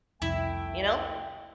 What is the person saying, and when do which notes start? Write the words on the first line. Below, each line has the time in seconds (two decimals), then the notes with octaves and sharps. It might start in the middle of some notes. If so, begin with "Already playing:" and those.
You know?
0.22 C2 F2 A3 E4 G5